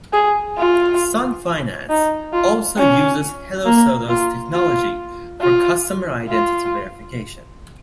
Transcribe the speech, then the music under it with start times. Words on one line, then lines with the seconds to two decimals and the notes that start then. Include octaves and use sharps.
Sun Finance also uses Hello Soda’s technology for customer identity verification.
0.13 G#4
0.58 F4
1.90 D#4
2.33 F4
2.77 C#4
3.66 A#3
4.09 F4
4.53 F4
5.41 F4
6.29 F4